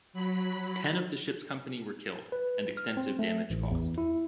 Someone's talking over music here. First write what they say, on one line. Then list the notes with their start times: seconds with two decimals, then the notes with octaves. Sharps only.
Ten of the ship's company were killed and extensive damage caused.
0.13 F#3 B5
2.32 B4
2.77 F6
2.97 C4
3.19 A3
3.50 A1
3.71 E2
3.98 E4